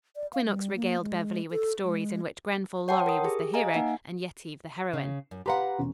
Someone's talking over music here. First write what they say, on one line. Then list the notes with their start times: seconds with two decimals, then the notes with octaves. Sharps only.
Quinnox regaled Beverly with stories in which Grenfall Lorry was the hero and Yetive the heroine.
0.16 D5
0.33 F5
0.46 G3
0.76 A#3
1.01 G#3
1.51 A4
1.84 G#3
2.88 C#5 F#5 G5 A5 C6
3.06 A#4 D#6
3.24 G4 G#4
3.54 D#5 F5 G#5 A#5
3.74 A#3 D#4 F#5 G#5
4.93 C#3
5.31 F#2
5.46 G4 B4 F5 F#5 A#5 C6
5.78 E1 C#4